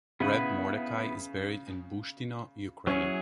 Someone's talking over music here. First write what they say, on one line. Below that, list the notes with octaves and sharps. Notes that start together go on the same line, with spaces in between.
Reb Mordechai is berried in Bushtyno, Ukraine.
C#3 B3 E4 B4
F#3 C#4 E4 G#4 C#5